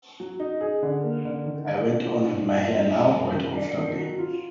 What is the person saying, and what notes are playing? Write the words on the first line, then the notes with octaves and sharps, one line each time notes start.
I went on with my hair now, quite comfortably.
F#3
D#4
G#4
D3
A#3
D3
D#3
D4
F#4
A#2
D4
F#4
F#2
G#3
F#2
D#3
D4
D#3
F#3
F4